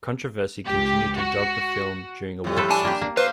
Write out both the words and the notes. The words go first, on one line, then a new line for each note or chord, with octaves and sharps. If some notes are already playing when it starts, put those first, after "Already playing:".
Controversy continued to dog the film during awards season.
C#2 G4
F#4
A2 G3
F3 A4 B4
D4 G#5 A5
A#3 G4
A#3
D3 B4 C5 F5